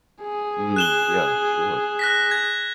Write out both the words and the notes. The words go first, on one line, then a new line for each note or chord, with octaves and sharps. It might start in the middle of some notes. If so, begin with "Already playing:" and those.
Mm, yeah, sure.
G#4
F#6 E7 G7
F#6 A#6 B6
G#6